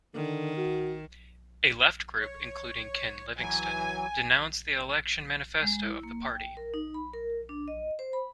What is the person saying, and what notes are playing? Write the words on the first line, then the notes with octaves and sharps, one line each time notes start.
A left group, including Ken Livingstone, denounced the election manifesto of the party.
D3 D#3
F#4
C#5
E3 F#3 G#5
G#3
E4
A#3
G5
A#4
D#4
B5
A#4
D4
D#5
C5
B5